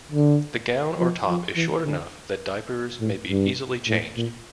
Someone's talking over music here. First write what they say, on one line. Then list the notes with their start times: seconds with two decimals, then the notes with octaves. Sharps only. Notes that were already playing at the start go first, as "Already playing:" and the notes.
The gown or top is short enough that diapers may be easily changed.
0.12 D3
1.00 F3
1.29 F3
1.57 E3
1.85 D3
3.01 A2
3.30 G2
3.88 A2
4.17 A#2